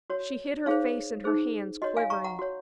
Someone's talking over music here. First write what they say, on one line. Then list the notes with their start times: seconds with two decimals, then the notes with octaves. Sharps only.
She hid her face in her hands, quivering.
0.10 F#4 C#5
0.66 D#4 G#4 C5 C#5 F5
1.24 D#4 G#4 C5
1.82 F#4 C#5 D#5
1.97 F5 G#5
2.10 A#5 C#6
2.24 F#5 A#5
2.39 F#4 C#5